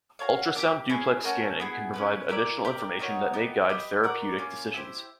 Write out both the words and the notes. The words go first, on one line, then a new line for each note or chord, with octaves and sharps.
Ultrasound duplex scanning can provide additional information that may guide therapeutic decisions.
F#4 A4 C#5 F5
A#3 D4 G4
C#4 E4 G#4
A3 C#4 F#4 A#4
B3 E4 G#4
C#4 E4 G4 B4
E4 G4 A#4 D5
G4 A#4 D5
D#4 F#4 A#4 C#5
B3 D#4 G4
G4 B4 D#5
F#4 A#4 D5
A#3 C#4 F4
E4 G4 C5